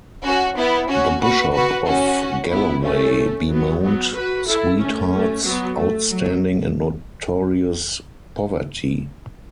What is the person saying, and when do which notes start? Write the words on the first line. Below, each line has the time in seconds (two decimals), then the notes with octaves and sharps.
The Bishop of Galloway bemoaned Sweetheart's "outstanding and notorious poverty".
0.25 C#4 F#4
0.57 B3 E4
0.90 C#4 F#4
1.22 F#4 B4
1.54 F#4 B4
1.87 C#4 F#4
2.52 B3 E4
2.84 A3 C#4
3.50 F#3 B3
3.82 F#3 B3
4.14 F#4 B4
4.47 E4 A4
4.80 A3 C#4
5.12 A3 C#4
5.44 F#3 B3
5.77 A3
6.09 F#3